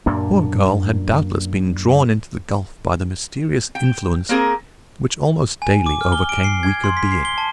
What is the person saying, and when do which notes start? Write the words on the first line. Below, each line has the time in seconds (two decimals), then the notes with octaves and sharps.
The poor girl had doubtless been drawn into the gulf by the mysterious influence which almost daily overcame weaker beings!
0.06 F#2 A#2 A#3 D4
3.75 G5
4.29 A#3 C4 G#4 A#4
5.62 G#5
5.86 D6
6.01 F6
6.12 G7
6.29 D7
6.44 C7
6.63 G#6
6.84 C6
6.97 B6
7.12 C7
7.25 G7
7.38 A5